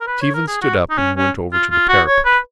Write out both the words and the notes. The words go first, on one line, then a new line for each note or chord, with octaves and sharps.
Stephen stood up and went over to the parapet.
A#4
B4
C#5
A#4
G#4
F#4
D#4
C#4
C#4
F4
F4
F#4
C#5
B4